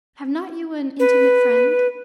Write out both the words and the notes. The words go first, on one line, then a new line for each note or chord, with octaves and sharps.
"Have not you an intimate friend?"
B4